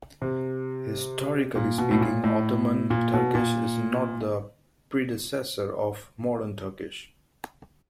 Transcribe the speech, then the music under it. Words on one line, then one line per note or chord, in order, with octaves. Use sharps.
Historically speaking, Ottoman Turkish is not the predecessor of modern Turkish.
C3
A#2
B2
A2
A#2
A2
A#2
B2
A#2